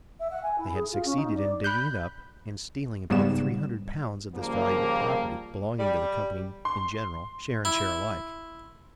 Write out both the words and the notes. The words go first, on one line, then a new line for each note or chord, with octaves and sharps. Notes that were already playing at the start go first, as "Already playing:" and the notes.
They had succeeded in digging it up and stealing about three hundred pounds of this valuable property, belonging to the company in general, share and share alike.
E5
F#5
G#5
E4
G#4
F4
C#4
D#4
D5
B5 F#6 G6
G#2 C#3 G3 B3 E7
C#3 F3 G3 A#3
G3
C6
E4